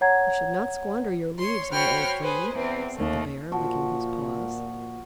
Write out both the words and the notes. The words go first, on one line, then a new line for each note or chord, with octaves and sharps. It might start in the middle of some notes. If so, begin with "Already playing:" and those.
"You should not squander your leaves, my old friend," said the Bear, licking his paws.
C#5 F#5 A#5 G#6
C#5 C6
F#4 C5 C#5 G5 B5 F6
G#4 B4 C5
E2 C4
D#2 A3
A#2 F3 F#4